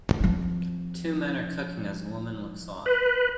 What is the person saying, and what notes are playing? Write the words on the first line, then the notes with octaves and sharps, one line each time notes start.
Two men are cooking as a woman looks on.
F3 C4
B4